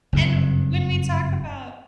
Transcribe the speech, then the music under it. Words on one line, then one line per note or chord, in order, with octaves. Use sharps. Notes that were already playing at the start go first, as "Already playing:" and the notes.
And when we talk about
F#1 G2 C3